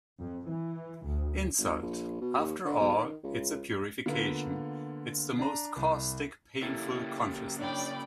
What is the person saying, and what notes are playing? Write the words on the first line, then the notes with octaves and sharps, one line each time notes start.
Insult - after all, it's a purification; it's the most caustic, painful consciousness!
F2
E3
D2
G#1
A#1
B2
D#2
D3
B1
D#3
C#2
D3 A#3 B3 F4
D4 A#5
C2
C#3 A#3 E4 G4 A4
D4 C#5 D5 G5 B5